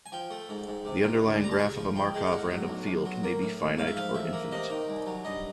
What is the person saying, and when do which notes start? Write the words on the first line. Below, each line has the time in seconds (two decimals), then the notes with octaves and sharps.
The underlying graph of a Markov random field may be finite or infinite.
0.06 G#5
0.12 F3 G5
0.30 A3
0.49 G#2
0.67 G#2
0.85 C3
1.04 D#3
1.22 D2
1.40 G3 A#5
1.51 A5
1.59 C#3 G#5
1.77 F3
1.95 C#2 G5
2.14 G#3
2.26 F5
2.32 A2 F#5
2.50 F#3
2.68 B1
2.87 B1
3.05 F#3
3.23 A#3
3.42 A2
3.60 A2
3.78 G#2 F5
3.87 E5
3.96 F3 F5
4.14 A1 E5
4.33 A#3
4.52 C3 D#5
4.70 D#3
4.89 C2
5.06 F#3
5.25 G2 D#5